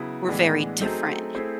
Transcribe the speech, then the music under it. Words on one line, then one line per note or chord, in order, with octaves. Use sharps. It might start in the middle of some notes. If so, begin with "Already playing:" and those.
we're very different.
Already playing: C#3 F#3 B3 E4
A2 E3 G#3 B3 D4
F#3 A3 C4 D#4 G#4
A3 C4 E4 G#4 C5